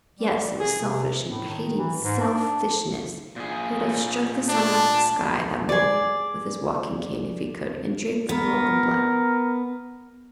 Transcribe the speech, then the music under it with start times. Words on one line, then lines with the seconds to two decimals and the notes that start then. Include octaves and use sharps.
Yes; it was selfish--and hating selfishness--he would have struck the sun out of the sky that morning with his walking-cane, if he could, and draped the world in black.
0.19 G3
0.60 G#4
0.81 C3
1.27 A2
1.49 D#3
1.78 E3
2.02 G#2
2.20 D4
3.36 A#2 G#4
4.48 D4 A5
5.69 G#4 D5
8.29 B3 A#4